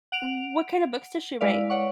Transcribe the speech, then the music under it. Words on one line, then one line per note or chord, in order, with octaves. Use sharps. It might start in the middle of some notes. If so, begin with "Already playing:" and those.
Wh what kind of books does she write?
F#5 D7 F7
G#3 E4 B4 D5 F5
C#5 D5 F#5 C#6